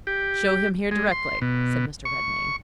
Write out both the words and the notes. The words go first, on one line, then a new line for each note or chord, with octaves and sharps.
"Show him here directly," said Mr. Redmain.
G4
G#3
C6
B2
C#6